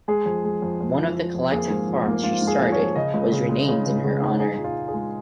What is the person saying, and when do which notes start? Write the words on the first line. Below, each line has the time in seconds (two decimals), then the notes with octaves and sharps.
One of the collective farms she started was renamed in her honor.
0.08 G#3 G#4
0.26 F2
0.45 G#3
0.62 F2
0.81 F2
0.98 F3
1.16 F3
1.34 F2
1.52 A#3 G#4
1.70 G#2
1.88 F3
2.06 A#3
2.23 G#2 F4
2.42 G#2
2.47 G#4
2.61 F3
2.72 C#5
2.78 F3
2.96 C#3 D#5
3.14 C#2
3.32 C#3
3.49 G#3
3.68 C#3
3.86 C#2
4.04 C#3
4.22 D#4
4.40 D#4 G#4
4.57 A#2
4.64 F4
4.75 A#2
4.88 G#4
4.94 G#3